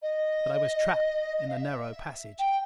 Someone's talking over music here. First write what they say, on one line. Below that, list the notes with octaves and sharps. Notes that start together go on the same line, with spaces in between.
But I was trapped in the narrow passage.
D#5
D#5
F5
E5
G5